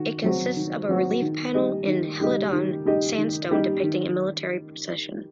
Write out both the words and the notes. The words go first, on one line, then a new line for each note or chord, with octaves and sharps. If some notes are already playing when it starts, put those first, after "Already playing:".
It consists of a relief panel in Helidon sandstone depicting a military procession.
Already playing: D#3 F#4
F#3 C4 F#4
D#3
F#3 C4 F#4
D#3
G3 D#4 G4 D#5
D#3
G3 D#4 G4 D#5
D#3
G3 D#4 G4 D#5
D#3
G3 D#4 G4 D#5
D#3